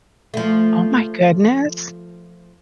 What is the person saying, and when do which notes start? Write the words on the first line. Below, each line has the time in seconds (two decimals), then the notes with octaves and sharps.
Oh my goodness.
0.34 F3 A3